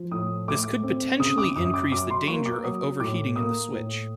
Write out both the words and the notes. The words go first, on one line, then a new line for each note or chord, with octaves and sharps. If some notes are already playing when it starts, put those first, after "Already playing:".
This could potentially increase the danger of overheating in the switch.
Already playing: F3
A2 D#6
A3 D6
C4
C#3 D#6
D6
F#2 D#6
D6
F#3 D6
C6
A#3 C#6
D6
F#3 D#6
A2 D6
A#3 D#6
A2